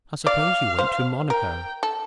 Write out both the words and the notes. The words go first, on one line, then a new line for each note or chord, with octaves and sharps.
"I suppose you went to Monaco?"
D5 F5
C5
A#4 G5
A4